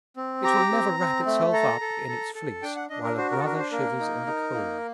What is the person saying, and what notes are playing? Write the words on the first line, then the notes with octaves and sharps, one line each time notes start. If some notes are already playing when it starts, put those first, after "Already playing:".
It will never wrap itself up in its fleece while a brother shivers in the cold.
C4
G4 A#5
C4
C4
A3
A4 A#5
A4
A4
A4
D4 G5
F#5
D4 D#5
A#4
F#4 C5
A#4
A4
D4 A#4
C5
A#3 A#4
D#4
D#4
A#3